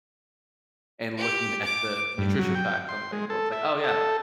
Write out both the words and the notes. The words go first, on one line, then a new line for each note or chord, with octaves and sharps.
and looking at the nutrition facts on the label, it's like, "Oh, yeah,
G4
D6
G2
F#3
G5
C6
G#3
A4
E5
A4